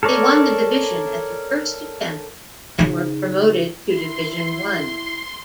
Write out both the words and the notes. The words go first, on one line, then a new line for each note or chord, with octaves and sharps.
They won the division at the first attempt, and were promoted to Division One.
A4 A#4 C#5 D5
C#3 D#4
E4 C6